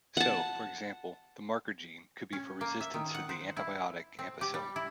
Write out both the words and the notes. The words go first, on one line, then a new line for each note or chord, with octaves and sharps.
So, for example, the "marker gene" could be for resistance to the antibiotic ampicillin.
F#5 A5
C#4
A#3
E5
D#3
F#5
C5
E4
C4
G4
G3
E4